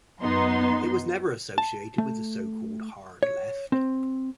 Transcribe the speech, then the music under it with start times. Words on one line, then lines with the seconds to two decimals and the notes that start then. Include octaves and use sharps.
It was never associated with the so-called Hard Left.
0.21 F#2 B3 D#4 C6
1.58 A5
1.98 A3
3.23 C#5
3.72 C4